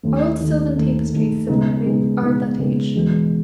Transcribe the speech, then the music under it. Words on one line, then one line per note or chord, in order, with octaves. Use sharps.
Our old silvan tapestries, similarly, are of that age.
D#2 D#3 A3
D#2 D#3 A3
D#2 D#3 A3
D#2 D#3 A3
C#3 G#3 B3 D#4
C#3 G#3 B3 D#4
C#3 G#3 B3 D#4
C#3 G#3 B3 D#4
E2 B2 G#3 B3